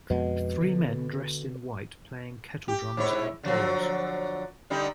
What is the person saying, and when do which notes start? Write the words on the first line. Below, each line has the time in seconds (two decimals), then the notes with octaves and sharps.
Three men dressed in white playing kettle drums outdoors.
0.10 F2 B2 G#3
0.60 D3
2.68 G4
2.97 G#2 E4 C#5
3.43 D3 F3 F#3
4.70 D3 G3 D#4